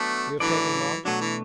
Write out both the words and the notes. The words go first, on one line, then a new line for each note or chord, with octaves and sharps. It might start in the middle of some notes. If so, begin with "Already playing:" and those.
"You have taken Monk?"
Already playing: F#3 A3 B3 D4 F#4
A2 E3 F#3 D4 A4 D5
B2 F#3 A3 D4
E3